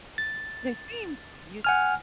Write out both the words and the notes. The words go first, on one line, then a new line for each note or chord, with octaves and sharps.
They seem you
A6
F#5 G#5 F6